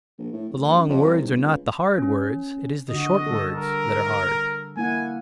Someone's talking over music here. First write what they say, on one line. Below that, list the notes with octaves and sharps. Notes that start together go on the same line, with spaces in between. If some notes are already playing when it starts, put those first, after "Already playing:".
The long words are not the hard words, it is the short words that are hard.
A#1
A2
F1
A#1
F#2
F2
C2
G1
C#2
C#4
D3 F#4 D#5
G3 A4
A#4
A#3 E4 F#5 G#5